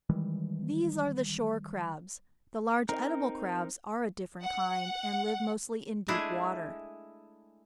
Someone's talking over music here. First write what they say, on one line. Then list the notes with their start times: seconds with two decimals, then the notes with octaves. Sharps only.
These are the Shore Crabs; the large Edible Crabs are a different kind, and live mostly in deep water.
0.09 D#3 E3 G3 G#3
2.89 C4 D#4 A#4
4.42 F#5
6.08 G#3 A3 D4 E4 G#4